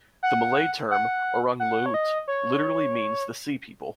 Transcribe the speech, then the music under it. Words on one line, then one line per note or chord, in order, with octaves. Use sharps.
The Malay term "orang laut" literally means the sea peoples.
F#5
F#5
F#5
C#5
D#5
C#5